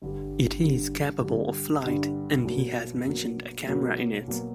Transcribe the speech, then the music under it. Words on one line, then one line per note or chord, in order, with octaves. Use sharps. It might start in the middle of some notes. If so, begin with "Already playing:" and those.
It is capable of flight and he has mentioned a camera in it.
G2 D3 G3
G2 D3 G3
G2 D3 G3
G2 D3 G3
B2 F#3 A#3
B2 F#3 A#3
B2 F#3 A#3
B2 F#3 A#3